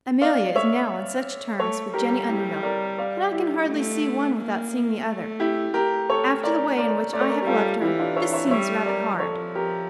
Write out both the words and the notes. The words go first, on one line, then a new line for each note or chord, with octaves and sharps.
Amelia is now on such terms with Jenny Underhill that I can hardly see one without seeing the other After the way in which I have loved her, this seems rather hard.
D5 F5
C#5 E5
A3 A4 C#5
G3 G4 A#4
E4 G4
A#4 D5
D5 F5
E4 G4
A3
A#3
A3
E4 G4
A3 G4 A#4
A4 C#5
A#4 D5
A#4 D5
A3 D5
C#5
A#4 D5
G4
G3 F4 A4
E3 E4 G4
D4 F4
C#5 E5
C#5 E5
G3 C#5 E5
A#4 D5
F3 A4 C#5
G4 A#4